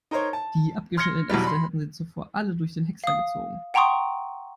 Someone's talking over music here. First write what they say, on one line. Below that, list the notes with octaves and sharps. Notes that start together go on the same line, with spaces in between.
Die abgeschnittenen Äste hatten sie zuvor alle durch den Häcksler gezogen.
D#4 A#4 C5 C#5
A5
C6 F6 G#6 A#6 C#7 G7
B1 E2 F#3 G3
B5 C6
F5 D#6
F#5 G5 A#5 C6 C#6 D#6